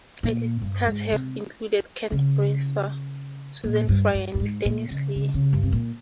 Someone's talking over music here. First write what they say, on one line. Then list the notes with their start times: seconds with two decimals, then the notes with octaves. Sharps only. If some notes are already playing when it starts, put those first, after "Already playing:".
Editors have included Kent Brewster, Susan Fry, and Denise Lee.
0.23 A#2
0.62 G2
0.86 G#2
1.11 C3
2.12 C#3
3.64 A#2
3.89 G2
4.14 G2
4.34 G2
4.40 G#2
4.65 A#2
4.90 C#3
5.16 C#3
5.34 C#3
5.53 G2
5.63 C3
5.72 A#2